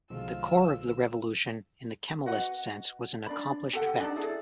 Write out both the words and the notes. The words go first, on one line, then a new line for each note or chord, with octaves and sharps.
The core of the revolution, in the Kemalist sense, was an accomplished fact.
B1 D3 F3 G#3 F4 E6
F#4 B4 D#5 F#5
D4 D5 B5
G4 A4 F#5
D4 D#4 D5 A5
E4 G#4 A4 D5